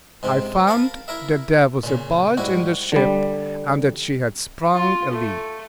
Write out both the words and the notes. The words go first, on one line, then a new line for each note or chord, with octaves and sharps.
I found that there was a bulge in the ship, and that she had sprung a leak.
G#2 C3 C4
A#4 F5 A5 B5
E4 A#4 E5
A#2 C#3
G#2 G3 E4 F#4
D3 G3
F4
A3